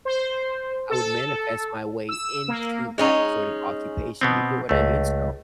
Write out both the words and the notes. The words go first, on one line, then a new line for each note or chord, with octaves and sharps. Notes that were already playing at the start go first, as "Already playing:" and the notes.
I would manifest my way into that sort of occupation, you get what I mean? So,
C5
A4
E6
A#3
G#3 C#4 D#4
B2 B3 C4
C#2 A3